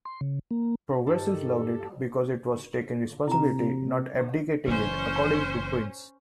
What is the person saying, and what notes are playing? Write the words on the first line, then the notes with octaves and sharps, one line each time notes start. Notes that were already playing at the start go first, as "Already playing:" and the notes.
"Progressives loved it because it was taking responsibility, not abdicating it," according to Prince.
C6
C#3
A#3
G2 D#3 D#4 G4 A4
C3 E4 A#5
F#1 E3 C#4 C5